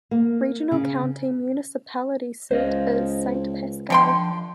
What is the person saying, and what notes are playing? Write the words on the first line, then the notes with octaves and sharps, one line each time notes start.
Regional County municipality seat is Saint-Pascal.
A#3
C#3
C#2 C5 D#5 F5
D3 F3 G5 C6